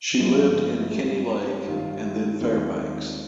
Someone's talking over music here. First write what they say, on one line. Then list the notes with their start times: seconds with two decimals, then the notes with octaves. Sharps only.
She lived in Kenny Lake and then Fairbanks.
0.19 G1 G2 F3 G#3
0.93 G#1 G2 G3 A#3
1.67 G2 D#3 G3 A#3 F4
2.41 D#2 D#3 G#3 C4 F4